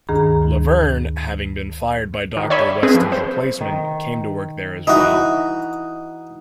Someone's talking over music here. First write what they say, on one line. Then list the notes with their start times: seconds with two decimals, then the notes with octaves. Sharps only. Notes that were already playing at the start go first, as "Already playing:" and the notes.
Laverne, having been fired by Doctor Weston's replacement, came to work there as well.
0.09 D2 G2 D#3 G#4 A#5
2.37 D#3
2.50 C#5 D5 E5 G#5 B5
2.83 C4 G#4 B4
2.94 F3
3.12 C5
3.61 D#3
4.87 E3 D#4 F#4